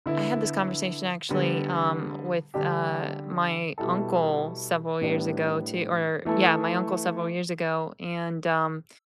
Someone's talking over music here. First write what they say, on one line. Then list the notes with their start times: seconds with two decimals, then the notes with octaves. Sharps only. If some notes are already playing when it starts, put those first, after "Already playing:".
I had this conversation actually, um, with, uh, my uncle several years ago too or yeah, my uncle several years ago, and, um,
0.06 D3 B3 E4
1.29 D3 G3 B3
2.54 D3 G3 D4 G4
3.78 B2 G3 E4 A4
5.01 A2 G3 B3 D4
6.25 E3 A3 E4 A4